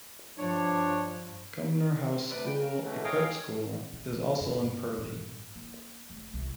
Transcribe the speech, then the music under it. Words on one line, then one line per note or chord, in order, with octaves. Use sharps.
Cumnor House School, a prep school, is also in Purley.
G2 F3 D4 C#5
D2 C3 B4 D5
G5
A#4
B2 E3 F#3 A3
G#4 A#4 C#5 D#5 F5 G5
C3
F3
G2
G2
G#2
A#3
F1
C2